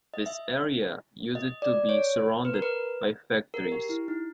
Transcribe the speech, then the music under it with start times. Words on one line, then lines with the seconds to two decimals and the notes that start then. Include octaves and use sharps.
This area used to be surrounded by factories.
0.14 D#5
0.26 E5
1.35 D#5
1.62 D5
1.89 C#5
2.16 C5
2.45 B4
2.54 A#4
2.62 B4
3.54 A#4
3.72 G4
3.89 E4
4.08 D#4